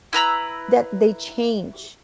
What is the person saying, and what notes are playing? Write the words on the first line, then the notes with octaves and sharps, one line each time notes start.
that they change
E4 B4 A#5 E6